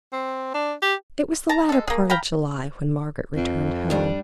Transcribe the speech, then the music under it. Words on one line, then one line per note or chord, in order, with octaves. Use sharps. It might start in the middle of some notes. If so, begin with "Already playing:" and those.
It was the latter part of July when Margaret returned home.
C4
D4
G4
A5 A#5
G#3 A4
A#3 G#4
F5 G5 A#5 B5
F2
G3 D4